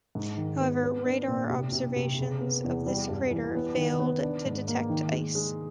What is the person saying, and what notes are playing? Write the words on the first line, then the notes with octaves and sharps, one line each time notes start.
However, radar observations of this crater failed to detect ice.
G#2
D#3
B3
B3
D4
A#2
C3
C3
C3
C#3
B3
E2
G3
G2
E3
B3
D#3
B3
D4
G#2
A#3
D#3
G#3
G#3